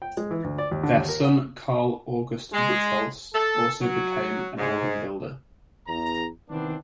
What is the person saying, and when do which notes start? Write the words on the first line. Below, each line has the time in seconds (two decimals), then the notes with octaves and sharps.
Their son Carl August Buchholz also became an organ builder.
0.02 G5
0.17 G#3
0.31 E3
0.44 D2
0.58 D5
0.71 D#2
0.83 D3
0.97 D#2
1.09 A#4
1.23 F#5
2.53 G#3
3.34 A4
3.81 F#3
4.58 G#2
5.88 E2 A#5
6.50 C3 D#3 E3 B3 C4 D4